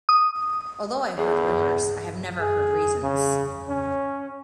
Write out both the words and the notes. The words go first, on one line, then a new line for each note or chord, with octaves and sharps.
Although I heard rumors, I have never heard reasons.
D#6
E2 G#4
G#4
C#3
C#4